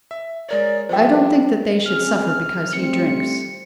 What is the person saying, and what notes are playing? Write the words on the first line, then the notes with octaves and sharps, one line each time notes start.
"I don't think they should suffer because he drinks."
E5
G#3 A#4 C#5 D5
F3 G3 A4 C5 E5 G5
C#3 C4 G#4 F6
G3 A3 C4 C#7